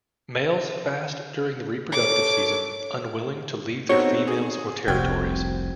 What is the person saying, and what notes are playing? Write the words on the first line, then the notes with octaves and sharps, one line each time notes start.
Males fast during the reproductive season, unwilling to leave their females or territories.
A4 A#4 C#5 D6
B3 C4 D#4 F#4 A4 C#5
G#4
F1 C2 C4 F#4 C5 G5 G#6